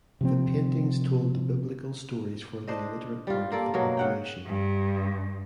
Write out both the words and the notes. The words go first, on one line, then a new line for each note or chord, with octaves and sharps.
The paintings told the biblical stories for the illiterate part of the population.
C3 F3 C4
D4 C5 D#5
G3 F4
A#3 A4 D5
B2 F#3 A#3
C#3 F#5 G5
G2